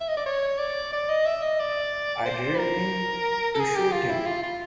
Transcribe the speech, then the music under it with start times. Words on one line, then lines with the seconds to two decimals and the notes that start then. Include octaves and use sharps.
I didn't mean to shoot him.
0.01 E5
0.08 D#5
0.17 D5
0.26 C#5
0.58 D5
0.93 D5
1.09 D#5
1.26 E5
1.43 D#5
1.60 D5
2.26 C5
2.55 B4
2.59 A#4
3.55 A4
3.60 G#4
3.76 G4
3.92 F4
4.10 E4
4.26 F4
4.43 F4